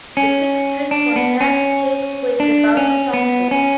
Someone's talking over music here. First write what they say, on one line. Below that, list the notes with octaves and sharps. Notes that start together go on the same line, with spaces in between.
The pick-string contact takes place above the sound-hole.
C#4
D4
B3
C#4
D4
C#4
B3
C#4